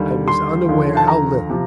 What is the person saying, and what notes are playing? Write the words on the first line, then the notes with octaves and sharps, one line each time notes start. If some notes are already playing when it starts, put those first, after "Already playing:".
I was unaware how little.
Already playing: D#2 D3 G3
C6
D#2 D3 F3
A5
A#5
C3 F3